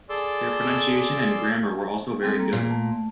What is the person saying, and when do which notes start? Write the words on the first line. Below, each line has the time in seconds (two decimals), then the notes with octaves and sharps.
Their pronunciation and grammar were also very good.
0.10 G#4 A4 D5 C6 D6 E6
2.23 G3 C4 A4
2.40 A#3
2.53 A#2
2.71 A3